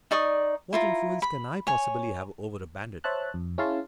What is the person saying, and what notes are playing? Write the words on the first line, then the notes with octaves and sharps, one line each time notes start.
"What influence can I possibly have over a bandit?"
D#4 D5 C#6 D#6
E4 F4 A#5
B5
C#5 G#5
C5 C#5 E5 A5 F#6
F2
C#4 E4 G#4 F5 A5 C6